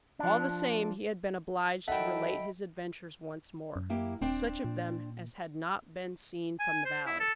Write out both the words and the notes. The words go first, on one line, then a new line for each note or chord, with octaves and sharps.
All the same he had been obliged to relate his adventures once more-- such of them as had not been seen from the valley.
F3 D4
D#3 F#3 A4 D#5 E5 F#5 G5 B5
F#2
A#3 E4 G4
D#1 C4 D4 G5
A#2
G#5
C5
E4
A4